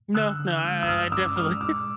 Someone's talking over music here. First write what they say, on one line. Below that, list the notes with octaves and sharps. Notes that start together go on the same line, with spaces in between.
No. No, I I I definitely,
D3 E6 F#6
D3
G#3
E6
G2 D#6 F6
C#4 D6 E6
G#3 D#6 F6
A#2 D6 E6